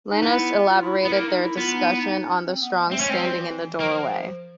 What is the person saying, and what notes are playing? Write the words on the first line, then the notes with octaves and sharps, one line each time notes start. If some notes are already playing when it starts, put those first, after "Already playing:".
Lanois elaborated their discussion on the song "Standing In The Doorway".
D#4
B3 E4
F4
E4
E4
B3
A#3 E4
D#4
E4
B3 F4
D#4
E4
D#4
C#4
C4
B3
G#3
A3 C4
C#4
G#3 C4
G3
E3
F3 A#3